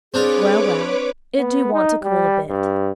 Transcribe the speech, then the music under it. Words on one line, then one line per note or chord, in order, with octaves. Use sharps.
'Well, well; it do want to cool a bit.
C4 D4 F4 G#4 B4 C#5 D6
B3
D#4
G3
G2